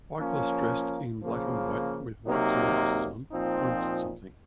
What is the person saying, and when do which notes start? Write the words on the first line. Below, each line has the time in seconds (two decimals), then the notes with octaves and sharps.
Bicyclist dressed in black and white with white sunglasses on points at something.
0.19 F3 A#3 C#4
1.22 C#3 F3 A#3
2.27 C3 F#3 A#3 D#4
3.30 A#2 F3 C4 D#4